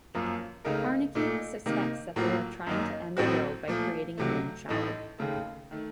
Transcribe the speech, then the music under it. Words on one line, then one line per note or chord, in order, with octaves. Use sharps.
Carnacki suspects that they are trying to end the world by creating a Moonchild.
F#2 F3 A#3
C#2 C#3 A3 D#4 A#4
A#2 A3 D#4 A4
C3 D#3 A#3 D#4
A2 F#3 A#3 F4
F#2 D#3 A#3 D#4
A1 A2 F#3 C4 F#4
A#2 F3 A3
C#2 C3 F#3 A3
A1 A2 A3 D#4
D#2 C#3 A3
D#3 A3